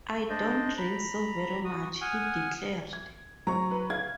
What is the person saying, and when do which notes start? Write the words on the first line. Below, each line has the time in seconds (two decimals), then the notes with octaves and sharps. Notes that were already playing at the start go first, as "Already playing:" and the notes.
"I don't drink so very much," he declared.
0.30 D4 C5 D5 D#5
0.77 A#5 B5
1.65 F#4 D#6
2.01 F#5 G#5 D#6 F6
2.93 G#6
3.47 F#3 C5 A#5 C#6
3.71 B4
3.90 F5 G#6